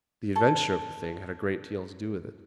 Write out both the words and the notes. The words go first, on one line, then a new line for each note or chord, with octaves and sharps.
"The adventure of the thing had a great deal to do with it."
A4 C#5